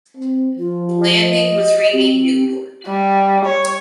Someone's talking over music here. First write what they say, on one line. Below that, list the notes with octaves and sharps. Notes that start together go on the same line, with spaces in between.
The landing was renamed "Newport".
C4
F3 F4
D#5
C4 G4
G3
C#5